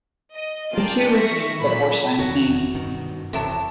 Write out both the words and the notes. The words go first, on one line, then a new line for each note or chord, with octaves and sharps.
The two retained the Borsheims name.
D#5
A#3 F4 G#4 D5 G5 A5
E5 C#6 A#6
A#2 F#3 B5 B6
F1 E2 D#3 F#4
G2 B2 D#3
E1 E2 C3 F#3 A5